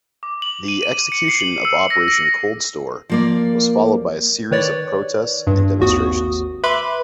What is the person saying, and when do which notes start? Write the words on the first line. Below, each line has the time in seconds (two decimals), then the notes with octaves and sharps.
The execution of Operation Coldstore was followed by a series of protests and demonstrations.
0.23 D6
0.42 F#7
0.68 D#7
0.82 D#7
1.12 C#7
1.28 C7
1.40 F#7
1.65 E6
1.90 A#6
2.08 A#6
3.09 F3 A#3 D5
4.51 D#3 B4 C#5 D5
5.47 G2
5.79 G#1 D#2 F#4 D#6
6.64 B4 E5 B5 C6 D6